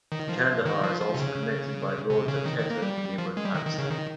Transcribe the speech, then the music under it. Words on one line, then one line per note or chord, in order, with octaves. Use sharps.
Kandahar is also connected by road to Quetta in neighboring Pakistan.
D#3
F3
D#3
F3
F3
C3
C#3
C3
C#3
D#3
D#3
A#3
G3
F3
G#3
G3
D#3
D#3
C#3
D#3